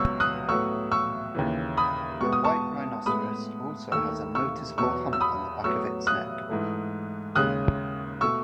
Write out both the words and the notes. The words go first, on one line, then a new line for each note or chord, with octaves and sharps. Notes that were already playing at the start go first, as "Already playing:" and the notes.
The white rhinoceros also has a noticeable hump on the back of its neck.
Already playing: C#2 B2 F#3 B3 C#6 E6
D#6 F#6
A2 F#3 B3 C#6 E6
C#6 E6
D#2 C#3 E3
B5 D#6
B2 G#3 B3 C#6
D#6
A5 C#6
A2 G#3 B3 B5 D#6
D#2 D#3 A3 C#6 E6
C#6 E6
E2 B2 F#3 B3 C#6 E6
E6
B5 D#6
A2 F#3 B3 C#6 E6
D#6 F#6
G#2 E3 A3
D#2 C#3 G#3 D#6 F#6
B2 A3 C#6 E6